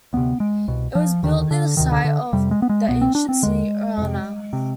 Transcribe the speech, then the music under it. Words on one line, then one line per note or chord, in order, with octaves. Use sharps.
It was built near the site of the ancient city Erana.
D2 C3 B3
G#3
C2 B2
F3
D#2 D3 D#3
D3
D2 C3 D#3
D3
D3
F2 C3 G3
G#3
B3
G#3
C2 B2 B3
C4
D4
C4
D#2 D3 G#3
F2 C3
C3